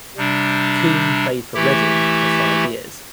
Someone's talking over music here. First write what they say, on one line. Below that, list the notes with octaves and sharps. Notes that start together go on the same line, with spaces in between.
Coombe played for Reading for five years.
C3 G3 D4
E3 A3 E4 G4